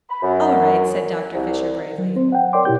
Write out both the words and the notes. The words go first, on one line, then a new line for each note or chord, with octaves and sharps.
"All right," said Dr. Fisher bravely.
B5
F#2
C2
F#3
C4 C5
F#5 G5
A#4 C#5 D5 G5 C6 D6
B2 E4 G4 G6